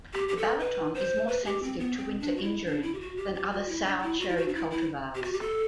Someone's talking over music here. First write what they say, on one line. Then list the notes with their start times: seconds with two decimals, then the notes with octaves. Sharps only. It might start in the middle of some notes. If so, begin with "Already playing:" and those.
The Balaton is more sensitive to winter injury than other sour cherry cultivars.
0.13 G4
0.28 G4
0.37 A4
0.59 B4
0.95 C5
1.28 B4
1.45 G4
1.63 C4
1.79 B3
1.97 C4
2.20 D4
2.36 F#4
2.43 E4
2.66 D4
2.82 E4
2.94 G4
3.00 F#4
3.17 G4
3.35 G4
3.51 F#4
3.69 E4
3.86 D4
3.99 D4
4.02 E4
4.20 F#4
4.29 E4
4.37 F#4
4.48 D4
4.54 E4
4.71 E4
5.15 G4
5.23 F#4
5.33 G4
5.41 A4